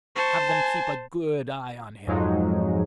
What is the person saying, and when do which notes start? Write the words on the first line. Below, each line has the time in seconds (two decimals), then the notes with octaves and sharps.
Have them keep a good eye on him.
0.16 C5 A5 C#6
0.48 G#5
2.07 F2 G#2 F3 F#3 G#3 D#4